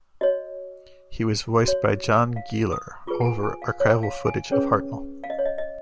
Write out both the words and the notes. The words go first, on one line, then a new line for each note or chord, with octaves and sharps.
He was voiced by John Guilor, over archival footage of Hartnell.
F#4 C#5 D#5
F#4 C#5
F5
D#6
F4 G#4 B4 C#6
F#5
G#5
G#5
F5
C#5
F5
G#5
C#4 G#4 B4 C#5
F5
D#5
C#5
D#5
D#5